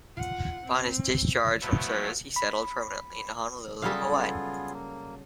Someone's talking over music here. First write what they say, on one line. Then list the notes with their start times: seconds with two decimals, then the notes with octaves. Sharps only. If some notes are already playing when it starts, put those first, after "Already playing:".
Upon his discharge from service, he settled permanently in Honolulu, Hawai'i.
0.16 F4 F#5
0.65 C4
1.62 F3 F#3 A3 B3 E4
2.36 B5
3.82 C#3 F#3 G3 B3 F4 G#4 A4 F5
4.74 A#3